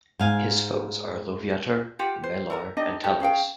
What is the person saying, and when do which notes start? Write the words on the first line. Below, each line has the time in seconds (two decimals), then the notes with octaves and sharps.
His foes are Loviatar, Malar and Talos.
0.19 G#2 F5 G#5
1.99 F4 G4 F#5
2.24 C5
2.50 A4 A#4 A#5
2.77 D4 D#4 G4 D#5
3.03 D#4 F#4 G4 A4
3.20 C#4 G#4 F5 G5